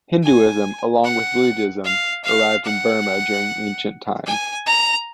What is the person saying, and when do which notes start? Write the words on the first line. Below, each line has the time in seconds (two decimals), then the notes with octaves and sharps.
Hinduism, along with Buddhism, arrived in Burma during ancient times.
0.23 G#5
1.04 F#5
1.84 F5
2.24 F5
2.65 F#5
4.26 G#5
4.66 A#5